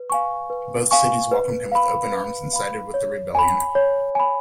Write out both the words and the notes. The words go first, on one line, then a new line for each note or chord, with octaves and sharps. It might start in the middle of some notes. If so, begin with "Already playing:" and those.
Both cities welcomed him with open arms and sided with the rebellion.
Already playing: B4
F5 G#5 C#6
B4
F5 G#5 C#6
B4
F5 B5
B4
F5 B5
C#5
G#5 B5
C#5
G#5 B5